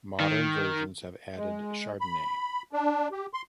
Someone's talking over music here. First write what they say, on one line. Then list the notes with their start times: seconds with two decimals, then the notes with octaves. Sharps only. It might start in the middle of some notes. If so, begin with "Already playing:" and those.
Modern versions have added Chardonnay.
0.20 D#3
1.37 G#3
2.01 B5
2.73 D4
3.12 G4
3.33 C6